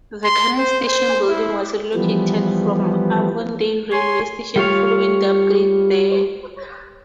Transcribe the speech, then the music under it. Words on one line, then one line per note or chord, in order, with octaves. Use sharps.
The current station building was relocated from Avondale Railway Station following the upgrade there.
C6
C5
C5
E4
E3 F3 G3 B3
C#5 G#5 C6
G3 F4 C#5 F5